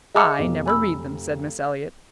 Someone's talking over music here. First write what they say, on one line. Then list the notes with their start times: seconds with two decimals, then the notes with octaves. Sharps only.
"I never read them," said Miss Eliot.
0.15 G#4 D#5 E5 A5 D6 C#7
0.39 F1 B1
0.66 G#5 B5 E6